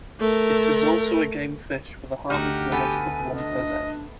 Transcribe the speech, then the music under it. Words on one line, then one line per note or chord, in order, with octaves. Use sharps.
It is also a game fish with a harvest limit of one per day.
A3 A#4
D2 D#4 F#4 G4 F#5 F6
A3 B3 B4 G#5
D4 D#5